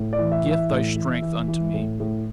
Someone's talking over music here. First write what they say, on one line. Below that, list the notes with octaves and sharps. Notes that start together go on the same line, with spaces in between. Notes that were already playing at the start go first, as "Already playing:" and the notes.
Gift thy strength unto me.
Already playing: A2
D5
E3
E5
E3
E5
A2
E3
E3
E3
A2
A2